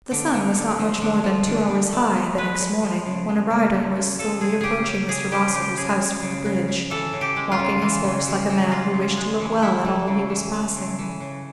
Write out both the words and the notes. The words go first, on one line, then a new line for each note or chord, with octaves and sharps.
The sun was not much more than two hours high the next morning when a rider was slowly approaching Mr. Rossitur's house from the bridge, walking his horse like a man who wished to look well at all he was passing.
D3
D3
D3
F3
D3
F3
D3
D3
A3
F3
G#3 B4
G#3
F3
C#3
F3
C#3
F3
C#3
F3 A4
C#3 G#4
C#3 G4 G#4
C#3 G4
C#3 G#4
F3 G4
C#3 G4
C#3 G#4
C#3
C#3
C#3
C#3
E3 A4
C#3
G4
G#3
F4
C#3
E3
C#3
E3
E3
G#3 F4
C#3
G#3
E3
E3 E4
A3
C#3
E3
A3
C#3
E3
C#3